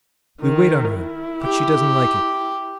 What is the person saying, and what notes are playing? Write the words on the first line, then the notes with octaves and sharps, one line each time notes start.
We wait on her, but she doesn't like it.
D#3
E4
G4